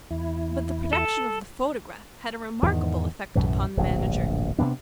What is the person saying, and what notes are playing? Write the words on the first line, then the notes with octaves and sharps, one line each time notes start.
But the production of the photograph had a remarkable effect upon the manager.
E2 E4
A4
E2 G#2 D#3
B1 F#2 A2 E3
D1 A#1 G2
C3 F#3 B3 D4